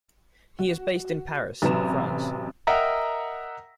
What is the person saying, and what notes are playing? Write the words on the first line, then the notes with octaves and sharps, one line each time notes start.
He is based in Paris, France.
F#4
A1 C3 F#3 B4 A#5 E7
A#4 D#5 E5 F#5 G5 A#5